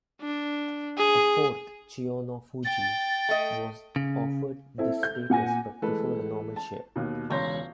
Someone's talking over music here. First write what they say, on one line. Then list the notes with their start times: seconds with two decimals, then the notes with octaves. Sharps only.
A fourth, Chiyonofuji, was offered this status but preferred a normal share.
0.22 D4
0.98 G#4
2.65 G5 A6
3.29 A3 D#5
3.96 C#3
4.78 C4 E4 A4
5.03 G6
5.30 A#2 F#5 G#5 A#6
5.82 E3 G#3 A3 A4 B4
6.56 A5
6.96 D#2 B2
7.30 E1 C#2 C#5 C6 G6 A#6